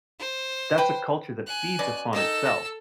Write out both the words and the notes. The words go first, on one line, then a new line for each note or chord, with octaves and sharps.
that's a culture that feeds upon itself.
C5
B4 G5
G#5 F#6
B2 C#4 D5
D#3 D#4 A4 E6
A5 A#5